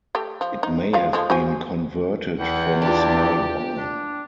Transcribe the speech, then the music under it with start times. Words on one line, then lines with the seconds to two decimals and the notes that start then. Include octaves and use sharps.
It may have been converted from a small barn.
0.15 A3 G4
0.41 F3
0.63 D#4
0.93 F3 F4 F5
1.13 F3 G#3 A3
1.30 F#4 C5 G#5
2.39 E2 F#5 G5
2.82 D4 F4 G4 D5
3.77 D4